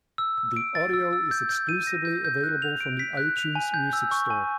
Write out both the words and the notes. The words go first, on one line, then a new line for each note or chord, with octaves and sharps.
The audio is exclusively available from the iTunes Music Store.
E6
E6
D7
A6
E6
E6
G6
G6
D#7
A#6
G6
G6
F#6
F7
D7
B6
F#6
F7
G#5
G6
E6
C#6
G#5